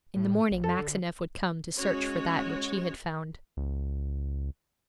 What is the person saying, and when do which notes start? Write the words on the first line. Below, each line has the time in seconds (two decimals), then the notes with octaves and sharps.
In the morning Maxineff would come to search for that which he had found.
0.16 A2
0.51 A1
0.64 F2 A4
0.79 D3
1.78 G#3 C#4 F#4 C#5
3.57 C#2